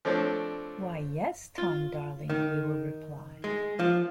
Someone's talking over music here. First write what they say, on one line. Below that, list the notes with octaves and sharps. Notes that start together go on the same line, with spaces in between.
'Why, yes, Tom, darling,' you will reply.
F3 A3 C4 D4 C#5 D5
F4
D#3
G#3
F3